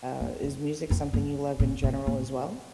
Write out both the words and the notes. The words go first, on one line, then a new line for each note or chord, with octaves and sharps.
uh, is music something you love in general as well?
F2
F2
F2
G2
A#2
A#2
A2